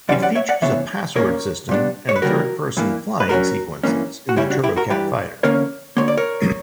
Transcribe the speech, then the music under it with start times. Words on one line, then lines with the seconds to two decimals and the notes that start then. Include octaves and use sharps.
It features a password system and third-person flying sequences in the Turbokat Fighter.
0.09 F#2 E3 G3 C#4 D5 F#5
0.22 D5 F#5
0.35 C#5 E5
0.49 D5 F#5
0.62 C#3 E3 B3 D4 C#5 E5
1.16 A#2 A#3 C#4 A#4 C#5
1.69 A#2 G3 B3 D4
2.09 C#5
2.16 B4
2.22 D2 C#3 G3 A#3 D4 F#4 A#4
2.77 G2 E3 A#3
3.20 B4
3.29 G2 F#3 C#4 F#4 A#4
3.83 G2 E3 A#3 C#4
4.29 F#4
4.36 C#3 G3 C#4 E4 G4
4.50 D4 F#4
4.64 E4 G4
4.76 F#4 A#4
4.90 G2 E3 G3 G4 B4
5.43 E2 D3 A#3 C#4 A#4 C#5
5.97 D2 D3 A#3 C#5
6.08 D5
6.17 A#4 C#5